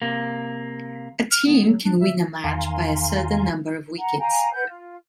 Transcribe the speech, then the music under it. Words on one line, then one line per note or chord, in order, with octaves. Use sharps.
A team can win a match by a certain number of wickets.
C3 A#3
F6
B3
F#3
D4
E5
E2 D#3 F5 G#5 A#5 C6
F#5 A#5
F5 G5 G#5 A#5
B4 F#5 G6
F4